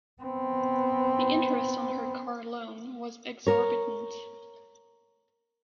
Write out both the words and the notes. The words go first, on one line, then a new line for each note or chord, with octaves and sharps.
The interest on her car loan was exorbitant.
B3 C4
A#4 C#5